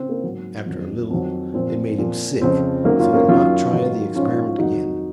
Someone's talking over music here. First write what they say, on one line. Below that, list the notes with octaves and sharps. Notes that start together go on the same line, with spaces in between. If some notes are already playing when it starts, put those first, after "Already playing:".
After a little it made him sick, so he did not try the experiment again.
Already playing: C#3 C4
A#3
G#2 F#3
F2 D#3 F#3
F2 D#3 F#3
A#2 F3 C4
A#2 F3
F2 C#3 F3 C4
F#2 D#3 F#3 A#3
C#4 F4
A#3 C#4
F#2 D#3 F#3 C#4 F4
G#2 D#3 F#3
G#2 F3 C#4 F4
F4
F2 D#3 F#3 D#4 F#4